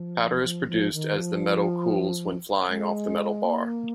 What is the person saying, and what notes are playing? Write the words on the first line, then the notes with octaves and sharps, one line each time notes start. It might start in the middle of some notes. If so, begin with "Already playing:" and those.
Powder is produced as the metal cools when flying off the metal bar.
Already playing: F3
F3
F3
D#3
F3
G#3
A#3